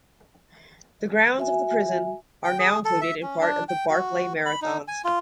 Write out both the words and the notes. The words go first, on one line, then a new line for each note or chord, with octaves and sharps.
The grounds of the prison are now included in part of the Barkley Marathons.
F#4 E5 G#5
G5
G#4
A4
E5
C#4
D4
G5
F#4
B5
D#4
G#5
F4